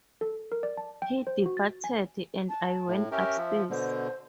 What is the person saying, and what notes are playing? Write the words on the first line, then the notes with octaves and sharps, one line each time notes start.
He departed, and I went upstairs.
A4
A#4
D5
A5
G5
C5
F#4
A6
G#5
A5
A2
C#4 G4 A#4 E5
F3
B2 D3 C5